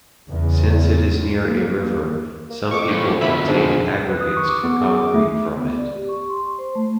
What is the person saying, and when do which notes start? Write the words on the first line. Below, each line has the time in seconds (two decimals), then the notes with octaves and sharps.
Since it is near a river, some people obtain aggregates for concrete from it.
0.28 E2 C#3
1.43 A#3
2.50 A#3
2.71 F2 C#6 D6
2.88 A2 E3
3.21 B2 D3 E5 B5
3.48 G#2 D4
4.09 B4
4.21 D#6
4.37 C#6
4.49 D6
4.64 B3
4.81 G#4
4.95 D6
5.14 A3
5.56 B3
5.77 D5
5.95 G4
6.09 C#6
6.29 C6
6.59 C5
6.75 A3